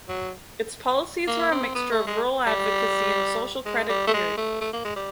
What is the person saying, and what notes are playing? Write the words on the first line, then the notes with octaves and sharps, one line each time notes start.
Its policies were a mixture of rural advocacy and social credit theory.
F#3
A#3
C4
B3
A3
G#3
G3
G#3
G3
A3
G#3
A3
A3
A#3
G#3
G3